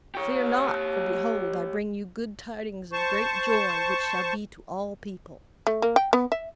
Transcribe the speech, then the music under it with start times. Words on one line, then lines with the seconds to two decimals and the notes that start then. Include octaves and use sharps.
"Fear not: for behold, I bring you good tidings of great joy, which shall be to all people."
0.15 G4 C#5
2.92 C5 A5 C#6
5.67 A3
5.82 A#3
5.96 G5
6.13 B3
6.32 E5